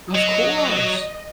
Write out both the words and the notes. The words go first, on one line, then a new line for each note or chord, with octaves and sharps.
Of course.
F#3 D#5